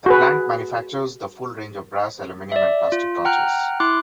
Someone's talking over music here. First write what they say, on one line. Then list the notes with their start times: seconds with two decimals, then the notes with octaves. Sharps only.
The plant manufactures the full range of brass, aluminium and plastic torches.
0.06 F#4 G#4 B4
2.52 D5 E5
2.92 F4
3.25 F#5 G5 A#5 F6 F#6
3.80 E4 C6 D6 F#6